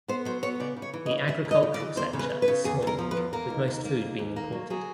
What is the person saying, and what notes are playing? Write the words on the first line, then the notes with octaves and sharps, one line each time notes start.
The agricultural sector is small, with most food being imported.
B3 C5
F#3 C5
B3 C#5
C#3 D5
C#3
C#5
E3
D#5
C#3
C#3 E5
D2
D#5
C#3
D5
E3
E2 C5
C#3
B4
C#3
B4
C#3
E2 G#4
E2 A#4
F3
B4
E2
A#3 A#4
D#2
D#2
A#3
D#2
D#2
A#3
F#3
F#3 G#4